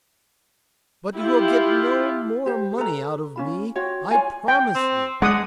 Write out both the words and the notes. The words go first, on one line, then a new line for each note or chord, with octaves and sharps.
"But you will get no more money out of me, I promise you."
E4 F4 G4
G4 C5
A4 B4 A#5
C#4 F4 B5
F4 F#4 C#5 G5
F4 C#5 D5 G#5
G5
C4
G#3 D4 F#5 D#6